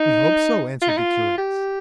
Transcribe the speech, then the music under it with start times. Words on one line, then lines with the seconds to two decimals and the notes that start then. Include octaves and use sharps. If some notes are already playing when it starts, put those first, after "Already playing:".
"We hope so," answered the curates.
Already playing: D#4
0.82 F4
0.89 D#4
0.98 F4
1.38 G4